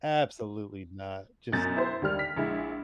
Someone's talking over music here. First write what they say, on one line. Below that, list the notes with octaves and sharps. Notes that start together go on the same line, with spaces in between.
Absolutely not, just
F#2 B2 G6 A6
E4 C5
D#2 G3 F6
B6
A#1 G#3 E4